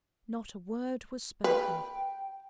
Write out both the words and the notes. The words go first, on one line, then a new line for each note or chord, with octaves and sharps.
Not a word was spoken.
B4 G5